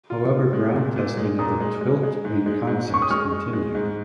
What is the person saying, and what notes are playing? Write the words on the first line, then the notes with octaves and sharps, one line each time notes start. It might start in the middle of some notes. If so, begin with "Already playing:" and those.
However ground testing of the tiltwing concepts continued.
F4
F4
G#3
A#2
A#2
G#3
A#2 A#5 D#6
G#3
G#3
G#3
G#2
G#3
G#2
C#4
C#6
D#6
G#3 C#6 F6
G#3
G#3
G#2